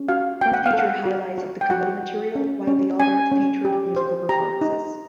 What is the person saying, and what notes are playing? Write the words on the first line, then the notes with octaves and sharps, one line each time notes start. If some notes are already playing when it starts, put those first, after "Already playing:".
One featured highlights of the comedy material, while the other featured the musical performances.
Already playing: C#4
F#4 F5
F#4 G5
F#5
F5
A4
F#5
F#4
F#4
G5
F#4 F#5
F#4
C#4
C#4
C#4 G#5
C#4
G4
C5
G4 A#5
D#4